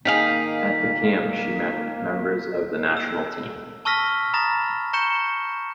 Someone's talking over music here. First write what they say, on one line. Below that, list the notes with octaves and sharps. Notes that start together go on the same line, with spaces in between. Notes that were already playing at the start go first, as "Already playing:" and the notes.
At the camp she met members of the national team.
D#3 A#3 D#4 G#4 F5 G5 B6
E6
A5 C#6 E6 F6 A#6 B6
A#5 B5 D#6 A6 A#6
A#5 C#6 G6 C#7 E7 G7